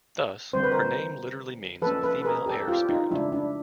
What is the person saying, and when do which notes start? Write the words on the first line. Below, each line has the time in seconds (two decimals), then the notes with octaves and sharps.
Thus, her name literally means female air spirit.
0.53 D3 G3 C4 C5
0.63 B4
0.72 A#4 C5
1.82 F3 A#3 C#4 A4 B4
2.04 A4 B4
2.22 B4
2.25 G#4 A#4
2.46 G4 A4
2.68 F4 G4
2.89 D#4 F4
3.11 C#3 F3 G#3 D4 E4
3.32 D4 E4